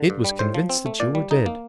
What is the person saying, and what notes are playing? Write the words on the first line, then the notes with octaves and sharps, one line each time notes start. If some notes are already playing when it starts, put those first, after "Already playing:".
It was convinced that you were dead.
Already playing: D3
G2
G3
A2 C5
F3
C4
A3
A#2 D5
G3
D#4
A#3